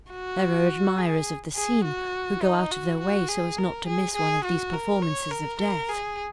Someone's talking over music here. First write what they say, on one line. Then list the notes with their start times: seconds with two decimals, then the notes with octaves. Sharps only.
There are admirers of the scene who go out of their way so as not to miss one of these performances of death.
0.12 F#4
0.98 G#4
1.56 G#4
1.85 F#4
2.43 D#4
2.71 F#4
3.00 F#4
3.29 G#4
3.58 A#4
3.87 G#4
4.15 G#4
4.45 F#4
4.74 A#4
5.02 C#5
5.31 A#4
5.60 A#4
5.89 G#4